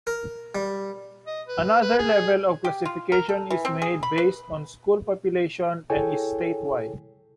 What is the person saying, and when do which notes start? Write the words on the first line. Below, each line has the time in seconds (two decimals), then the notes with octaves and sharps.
Another level of classification is made based on school population and is statewide.
0.07 A#4
0.55 G3
1.27 D#5
1.48 B4
1.81 B4
1.99 G#4
2.64 G4
2.85 F4
3.12 A#4
3.29 A4
3.50 E3
3.65 C4
3.82 G#4
4.03 B5
4.18 B4
5.90 E4 G#4 A4 C#5 G5 G#5